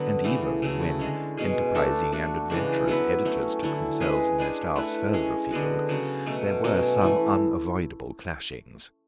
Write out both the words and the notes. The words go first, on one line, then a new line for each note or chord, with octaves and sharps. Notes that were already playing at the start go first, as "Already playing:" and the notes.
And even when enterprising and adventurous editors took themselves and their staffs further afield there were some unavoidable clashings.
Already playing: D3 F#3 B3 F#4
C#3 E3 A3
C#3 F#3 A3 E4
D3 G#3 C#4
B2 G#3 C#4 G#4
A3 D4 A4
A3 D4 F#4
C#3 E3 G#3 D4
F#3 B3 E4 B4
F#3 A3 C#4
D3 F#3 C#4 E4
G#3 C#4 G#4 B4
G#3 D4 G#4 B4
A3 E4 B4
G#3 C#4 G#4
D3 G#3 B3 F#4
C#3 F#3 C#4 F#4
B2 F#3 A3
B2 F#3 C#4
E3 A3 E4